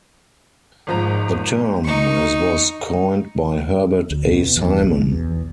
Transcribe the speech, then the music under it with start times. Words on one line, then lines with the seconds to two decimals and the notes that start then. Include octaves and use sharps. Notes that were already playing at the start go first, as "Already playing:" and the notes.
The term is was coined by Herbert A. Simon.
0.87 G#1 G#2 F3 A#5
1.85 D#4 C#6
4.11 D2
4.25 B2
4.57 E2
4.82 B1
5.12 E2